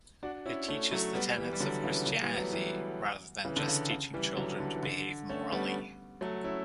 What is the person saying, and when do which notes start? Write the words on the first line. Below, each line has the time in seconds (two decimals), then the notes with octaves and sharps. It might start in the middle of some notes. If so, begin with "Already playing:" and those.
It teaches the tenets of Christianity rather than just teaching children to behave morally.
0.23 D4 F#4
0.46 C#4 E4
0.68 A3 C#4
0.91 F#3 A3
1.15 G3 B3
1.37 E3 G3
1.53 G3
1.60 D3 F#3
1.84 C#3 E3
2.06 D3 F#3
2.22 E3 G3
2.33 B3
2.38 F#3 A3
2.53 E3 G3
3.45 C#3 E3
3.57 D3
3.68 C#3
3.91 C#3
4.14 E3 G3
4.37 D3 F#3
4.60 D3
4.76 E3
4.83 D3
5.29 A3 C#4
5.52 G3 B3
6.21 F#3 A3
6.44 C#4 E4